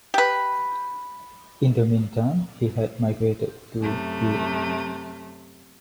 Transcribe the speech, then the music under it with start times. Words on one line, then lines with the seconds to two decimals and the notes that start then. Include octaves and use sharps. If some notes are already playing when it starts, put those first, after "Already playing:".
In the meantime, he had migrated to Europe.
0.14 G4 B4
3.80 F#2 C3 A3